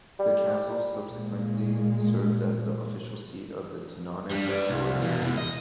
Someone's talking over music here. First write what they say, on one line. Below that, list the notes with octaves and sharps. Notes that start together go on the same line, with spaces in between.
The castle subsequently served as the official seat of the Teutonic Order Masters.
G3
A#2 G#3
G3 D4
B4 D5
C2
B2 E3
E2 C3
D#5